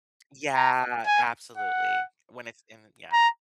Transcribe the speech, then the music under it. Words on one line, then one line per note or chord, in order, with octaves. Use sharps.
Yeah, absolutely, when it's in yeah.
A#5
G#5
F#5
A#5